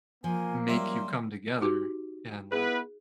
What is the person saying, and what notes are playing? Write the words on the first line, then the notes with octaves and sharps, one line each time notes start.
make you come together, and, like,
F3 A#3 G#5
F#2 G3 E5 C6
D#4 F#4 G4
B3 E4 G#4 B4